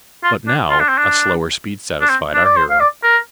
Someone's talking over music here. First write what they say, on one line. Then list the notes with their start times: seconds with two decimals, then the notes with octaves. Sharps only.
But now a slower speed satisfied our hero.
0.24 F4
0.47 D4
0.70 F4
0.80 D4
0.88 C4
0.98 D4
2.01 D4
2.09 C4
2.34 D4
2.45 D5
2.56 C5
2.70 F5
2.80 D5
3.03 A#4